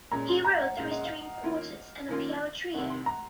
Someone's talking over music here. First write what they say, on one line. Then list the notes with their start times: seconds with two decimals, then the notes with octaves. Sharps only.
He wrote three string quartets and a piano trio.
0.11 A#2 G#3 C#4 A#5
0.29 C6
0.45 A#5
0.61 F#5
0.77 A#2 G#3 C#4 F5
0.91 D#5
1.05 F5
1.43 F#2 D#3 A#3 C#4 F4
2.08 F#2 D#3 A#3 C#4 F4
2.74 C2 C3 D#3 F#5
2.90 C6
3.06 A#5